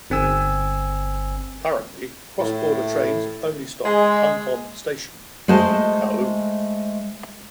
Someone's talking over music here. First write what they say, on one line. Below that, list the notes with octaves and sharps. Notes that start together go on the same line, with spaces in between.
Currently cross-border trains only stop at Hung Hom Station in Kowloon.
G1 C4 G#5 E6
A2
G#3
G#3 A3 C5 D#5 A5